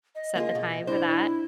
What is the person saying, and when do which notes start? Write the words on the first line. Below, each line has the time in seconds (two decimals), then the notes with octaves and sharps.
set the time for that,
0.15 D#5
0.36 A#3 F4 G#4
0.55 B2
0.87 D4 E4 C5